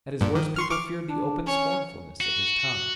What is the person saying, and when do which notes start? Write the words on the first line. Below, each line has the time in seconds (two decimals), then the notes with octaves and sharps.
At his worst people feared the open scornfulness of his tongue.
0.21 G2 A#2
0.35 D#3
0.56 C6 C#6 F6
0.70 C#6 D6 F6
1.09 D4
1.47 C#4 C#5
2.21 F#4